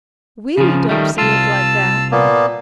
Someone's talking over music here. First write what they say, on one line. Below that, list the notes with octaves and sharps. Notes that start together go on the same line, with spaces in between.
We don't see it like that.
C#3 F3
D#3 G3 A3
C2 F4 A5 E6
A#2 A#3 B3